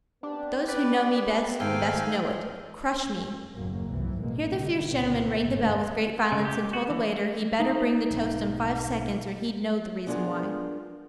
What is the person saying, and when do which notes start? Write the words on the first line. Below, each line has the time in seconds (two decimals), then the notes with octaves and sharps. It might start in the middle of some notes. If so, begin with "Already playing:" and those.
Those who know me best, best know it; crush me!' Here the fierce gentleman rang the bell with great violence, and told the waiter he'd better bring the toast in five seconds, or he'd know the reason why.
0.23 B3 C4 D4 G4
0.68 B4 D5
1.60 G#2 D#3 A4 F5 G5 G#5
3.54 F#1 D#2 A2 F#3 A#3
3.89 C2 G#2 E3 F3
4.19 A1 B2 G#3 A#3
4.58 D3 G3
4.88 C2 A#2 C#3 A#3 C4
5.43 G1 D2 G#2 C#3 A3
6.32 C#3
6.45 G4
6.73 F#4
6.90 E3
7.59 D#4
8.10 B1 G#2
10.07 B3 D4 F4 G#4 A#4